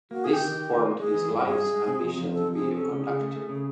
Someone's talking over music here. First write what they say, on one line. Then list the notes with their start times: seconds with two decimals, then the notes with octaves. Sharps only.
This formed his life's ambition to be a conductor.
0.11 A#3 F#4
0.24 D#3 G#4
0.33 G4
0.40 D#3
0.55 D#3
0.70 D#3
0.85 A#3
0.99 G#3 G#4
1.14 E3
1.29 G2
1.44 G2 G#4
1.58 G2
1.73 G#3
1.87 C3
2.02 F2
2.18 F2
2.32 C3 A4
2.46 F2
2.54 G#4
2.62 C3
2.75 C#4 A4
2.91 C#3
2.98 G#4
3.06 C#3
3.21 A3
3.35 A3
3.49 C#3